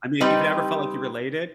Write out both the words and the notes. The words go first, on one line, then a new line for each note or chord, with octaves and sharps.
I mean, if you've never felt like you related
G3 C4 D#4 G4 B4